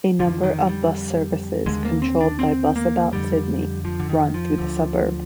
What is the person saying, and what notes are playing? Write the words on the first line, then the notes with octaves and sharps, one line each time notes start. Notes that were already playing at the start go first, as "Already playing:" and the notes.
A number of bus services controlled by Busabout Sydney run through the suburb.
F2 D3 F3
D#3
G3
D#2 D3 G#3
A#3
C4
D4
C4
A#3
F2 D3 G3
F3
D3
D#3
F3
D2 D3